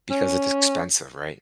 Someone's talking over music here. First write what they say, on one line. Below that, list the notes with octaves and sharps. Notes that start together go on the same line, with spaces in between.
Because it's expensive, right?
C#4